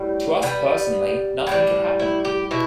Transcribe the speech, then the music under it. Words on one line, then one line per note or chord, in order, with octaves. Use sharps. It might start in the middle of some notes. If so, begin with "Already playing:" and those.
To us personally nothing could happen.
Already playing: A2 G3
D3 G3 B3
A2 G3 D4
E4
G4
B2 E4